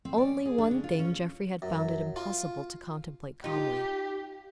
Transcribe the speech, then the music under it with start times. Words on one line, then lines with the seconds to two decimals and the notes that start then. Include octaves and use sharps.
Only one thing Jeffrey had found it impossible to contemplate calmly.
0.05 C4
0.18 D5
0.45 G#4
0.58 D4
0.71 C#3
0.84 F4
0.99 C#4
1.62 F#2
2.16 F4
3.44 D#4 F4 G4